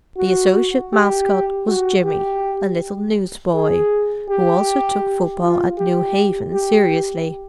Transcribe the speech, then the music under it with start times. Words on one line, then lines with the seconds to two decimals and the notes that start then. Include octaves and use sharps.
The associate mascot was Jimmy, a little newsboy, who also took football at New Haven seriously.
0.17 F#4
0.93 G4
1.68 F#4
2.05 G4
3.54 G#4
4.29 G4
5.41 F4
5.78 G4
6.53 G4